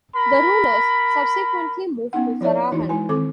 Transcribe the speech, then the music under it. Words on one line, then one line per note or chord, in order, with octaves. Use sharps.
The rulers subsequently moved to Sarahan.
A#4 B5
B3 C#4 D#4 F#5
F3 E4 C#5 D5 E5
E3 D#4 E4 F#4
G#3 E4 B4 G#5
D#3 C4 A4 D6